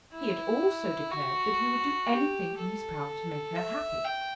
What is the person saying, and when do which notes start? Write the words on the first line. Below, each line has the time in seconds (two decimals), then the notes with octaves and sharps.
He had also declared that he would do anything in his power to make her happy.
0.13 E4
1.11 F#4
2.09 G4
2.57 A4
3.56 E5
4.05 G5